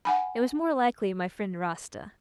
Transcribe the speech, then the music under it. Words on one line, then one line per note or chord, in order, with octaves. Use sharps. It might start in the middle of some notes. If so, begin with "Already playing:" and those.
It was more likely my friend Rasta.
F#5 G#5 B5